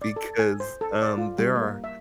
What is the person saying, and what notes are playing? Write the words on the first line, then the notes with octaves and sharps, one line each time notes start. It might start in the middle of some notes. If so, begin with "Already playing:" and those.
Because, um, there are
D5
A4
G#5
C5
A4
D5
F4
G3
A#3
E5